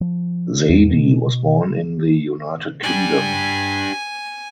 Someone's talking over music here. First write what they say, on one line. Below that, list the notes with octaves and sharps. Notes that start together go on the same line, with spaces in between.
Zaidi was born in the United Kingdom.
F3
E2
B2
D4 G4 G#5